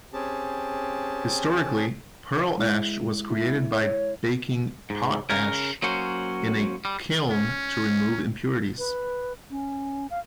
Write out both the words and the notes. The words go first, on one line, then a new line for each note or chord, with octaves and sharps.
Historically, pearl ash was created by baking potash in a kiln to remove impurities.
C4 C#4 G4 G#4 A5
G#3 E4
E4
C#5
G#2
C#3 A#4
F#3 A#3 C#4 F#4 C5
G3
C#4
B4
C#4
F5